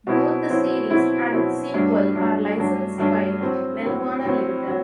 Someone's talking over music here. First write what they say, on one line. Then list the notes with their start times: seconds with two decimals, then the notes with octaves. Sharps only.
Both the series and its sequel are licensed by Nelvana Limited.
0.07 B2 F#3 C4 E4
0.49 B2 F#3 C4 E4
0.90 B2 F#3 C4 E4
1.32 B2 F#3 C4 E4
1.74 G2 F#3 A3 D4
2.15 G2 F#3 A3 D4
2.57 G2 F#3 A3 D4
2.98 G2 F#3 A3 D4
3.40 A2 F#3 C4
3.82 A2 F#3 C4
4.24 A2 F#3 C4
4.66 A2 F#3